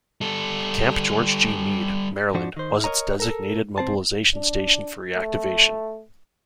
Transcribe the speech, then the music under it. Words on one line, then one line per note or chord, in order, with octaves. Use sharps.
Camp George G. Meade, Maryland, was its designated mobilization station for reactivation.
G3 A4
G#2 F3 D4 F#4
D#3 C5
A#4 C5 C#5 D#5 A#5
A4 A#4
C2 C4 C5 A5
D4
A3